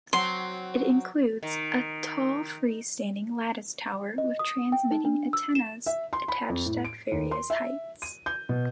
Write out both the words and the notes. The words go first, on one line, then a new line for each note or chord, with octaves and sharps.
It includes a tall free-standing lattice tower with transmitting antennas attached at various heights.
F#3 C4 C6
D#3
D#5
D#6
G5
D#4
D4
E6
E7
E5
C6
B5
F2
A2
D7
D#2
C6
E5
D#7
G6
B2